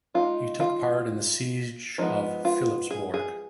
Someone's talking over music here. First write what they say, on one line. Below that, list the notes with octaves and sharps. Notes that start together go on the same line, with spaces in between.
He took part in the siege of Philippsbourg.
G#3 D#4 F4
F4
F3 G#3 B3 D#4
F4
G#4
G#4